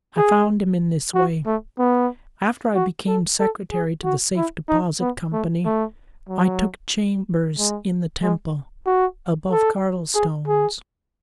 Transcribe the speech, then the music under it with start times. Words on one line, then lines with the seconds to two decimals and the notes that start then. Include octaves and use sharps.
I found him in this way: After I became secretary to the Safe Deposit Company, I took chambers in the Temple, above Cardlestone's.
0.17 G#4
1.14 F#4
1.46 A3
1.78 B3
2.75 F#4
3.07 A4
3.40 A4
3.72 G#4
4.04 F#4
4.36 E4
4.68 D#4
5.00 B3
5.32 A3
5.65 A3
6.29 F#3
7.58 G#3
8.22 G#3
8.86 F#4
9.51 A4
10.15 G#4
10.47 G#4